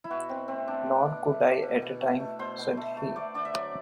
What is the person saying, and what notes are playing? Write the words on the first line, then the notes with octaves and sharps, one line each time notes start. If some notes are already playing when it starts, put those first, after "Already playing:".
"Nor could I — at the time," said he.
E4
B2 F#4
B2 C4
A3 C4
A3 D4
B2
B2
A3
A3
B2
B2
A3
A3
B2 C5
B2
A3
A3
A3 D5
D3 D5
E5
F#3 D5